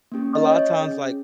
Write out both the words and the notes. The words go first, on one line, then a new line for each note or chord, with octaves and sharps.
a lotta times, like,
A#3 C#4 G4
D#5
C#5
C#4 G#4